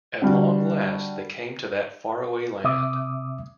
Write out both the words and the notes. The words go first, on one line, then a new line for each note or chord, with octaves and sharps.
At long last they came to that faraway land.
D3 G3 F#4
C3 E5 D6 D#6